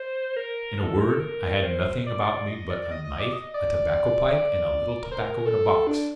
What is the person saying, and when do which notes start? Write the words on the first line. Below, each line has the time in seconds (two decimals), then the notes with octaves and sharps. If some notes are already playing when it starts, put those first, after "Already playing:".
In a word, I had nothing about me but a knife, a tobacco-pipe, and a little tobacco in a box.
Already playing: C5
0.37 A#4
0.79 A4
1.00 A#4
1.10 A4
1.20 A#4
1.63 C5
2.07 D5
2.48 D#5
2.70 D5
2.82 D5
2.91 D#5
3.04 D#5
3.20 D5
3.33 D#5
3.54 D5
3.75 D5
5.03 A#4
5.12 C5
5.19 A#4
5.46 A4
5.87 D4